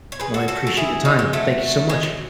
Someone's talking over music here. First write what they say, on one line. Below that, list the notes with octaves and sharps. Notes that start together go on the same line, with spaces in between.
Well, I appreciate your time. Thank you so much.
C#5
G#4 B4
F#4 A4
F#4 A4
A4
E4 G#4
D#4 F#4
G#3
F#3 A3
G#3
F#3